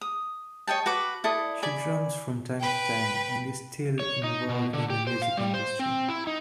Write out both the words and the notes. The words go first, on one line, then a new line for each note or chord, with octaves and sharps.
She drums from time to time and is still involved in the music industry.
D#6
C#5 D#5 G5 A5
F#4 B4 D6
E4 A4 D5 D#6
D5 G#5 B5
B4 G5
C#5
D#4
B2
D3
G4
C5
F5
G3
C5
C4
E4
D#4